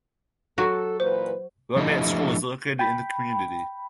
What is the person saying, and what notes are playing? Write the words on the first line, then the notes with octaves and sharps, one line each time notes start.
Romance School was located in the community.
F#3 F#4 A4
A#2 E3 B4 C5
F3 A3 D4 E4 G4 D#5
G5 B5